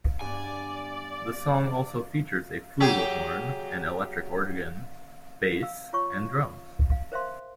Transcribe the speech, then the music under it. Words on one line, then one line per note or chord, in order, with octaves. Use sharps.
The song also features a flugelhorn, an electric organ, bass, and drums.
G2 B3 D5 G#5
F#3 G4 G#4
F5 E6
F4 C#5 C#6
F5
A#4 C5 E5 F5 C6